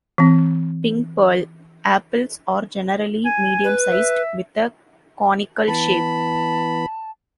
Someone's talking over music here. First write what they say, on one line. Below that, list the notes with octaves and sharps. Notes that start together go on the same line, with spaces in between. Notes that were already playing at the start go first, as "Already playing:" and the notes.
'Pink Pearl' apples are generally medium-sized, with a conical shape.
E3 C4
G#5
B4
E5
E3 B3 A5 B5